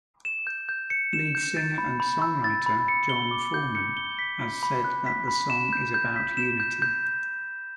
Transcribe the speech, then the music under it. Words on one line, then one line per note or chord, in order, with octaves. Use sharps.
Lead singer and songwriter Jon Foreman has said that the song is "about unity".
E7
G6
G6
C#7
E7
G6
A6
B5
B5
E6
A6
B5
C#7
G7
D6
G6
C#7
G7
B6
B5
B5
F#6
B6
B5
E7
G6
G6
B6
E7
G6
G6